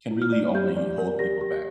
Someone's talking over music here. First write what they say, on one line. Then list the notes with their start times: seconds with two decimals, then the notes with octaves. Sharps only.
can really only hold people back.
0.11 E4
0.22 F6
0.32 D5
0.54 G4 G6
0.76 D5
0.98 A#4
1.19 G4 A#6
1.41 G4